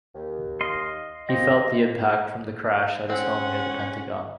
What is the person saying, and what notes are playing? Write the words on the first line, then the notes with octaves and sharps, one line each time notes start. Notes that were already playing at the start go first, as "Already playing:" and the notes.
He felt the impact from the crash at his home near the Pentagon.
D#2
D#5 F5 C6
A#3 C4 C5 D#5
C4 C#4 F#5